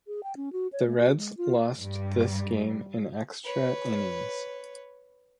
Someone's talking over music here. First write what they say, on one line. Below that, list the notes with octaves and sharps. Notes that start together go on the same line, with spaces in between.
The Reds lost this game in extra innings.
G#4
G5
C#4
F#4
C#5
A3
F#4
G#3
F4
G2 G3
B4 C#5